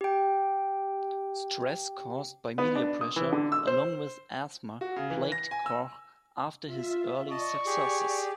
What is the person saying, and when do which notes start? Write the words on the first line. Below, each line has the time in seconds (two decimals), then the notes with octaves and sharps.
Stress caused by media pressure, along with asthma, plagued Koch after his early successes.
0.01 G4 G5
2.58 B3
2.75 D4
3.01 D#6
3.16 E3
3.33 D3
3.52 E6
3.67 C5
4.81 F#4
4.96 C#3
5.10 E3
5.32 A#6
5.51 G#5
5.66 E6
6.66 F4 E5
7.31 D5 D#5 A5 C#6
7.66 G4 G#4